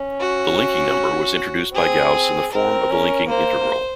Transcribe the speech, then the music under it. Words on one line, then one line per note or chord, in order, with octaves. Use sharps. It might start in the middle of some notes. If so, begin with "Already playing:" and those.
The linking number was introduced by Gauss in the form of the linking integral.
Already playing: C#4
F#4
C4 G#4
C4 A#4
C#4
A#3 C5